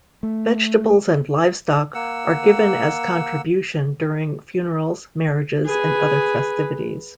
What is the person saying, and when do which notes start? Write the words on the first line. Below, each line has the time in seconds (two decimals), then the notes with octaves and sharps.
Vegetables and livestock are given as contribution during funerals, marriages and other festivities.
0.23 A3
1.95 A#3 F#5 E6
5.65 G#4 B4